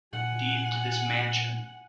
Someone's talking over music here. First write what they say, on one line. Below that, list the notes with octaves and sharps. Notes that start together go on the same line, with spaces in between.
deed to this mansion."
A#2 F#5 G#5